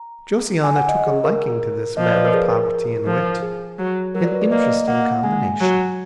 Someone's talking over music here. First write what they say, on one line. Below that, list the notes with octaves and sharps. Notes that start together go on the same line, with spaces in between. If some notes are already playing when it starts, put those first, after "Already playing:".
Josiana took a liking to this man of poverty and wit, an interesting combination.
Already playing: A#5
G#5
F#5
D#5
G#4
A#4
F3 D#5
D5
B4
A#4
G#4
A#4
F3
G#4
F#3
F#3 A#4
D5
B4
D5
A#3 D#5
D#5
A#3 F#5
F#5
F#5
G#3 G#5
F#3